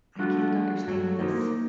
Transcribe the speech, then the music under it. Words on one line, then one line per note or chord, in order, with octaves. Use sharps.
I can't understand this!
F3 G3 A3 D4 F4 F#4
G2 F#3 A4
A#3 D#4 E4 A#4 C5